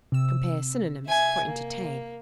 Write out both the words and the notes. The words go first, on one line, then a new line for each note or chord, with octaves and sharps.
Compare synonyms for ENTERTAIN.
C3 E6
E5 G#5
A#3